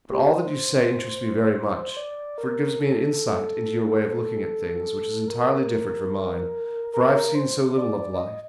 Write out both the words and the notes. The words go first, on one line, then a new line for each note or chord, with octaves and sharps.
But all that you say interests me very much, for it gives me an insight into your way of looking at things, which is entirely different from mine, for I have seen so little of life.
G4
C5
D5
A#4
A4
A#4
A#4
A#4
C5
D5
D5
D5
D#5